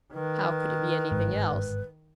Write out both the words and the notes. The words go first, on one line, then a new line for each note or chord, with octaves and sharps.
How could it be anything else!
D#3 B4
G1 G#2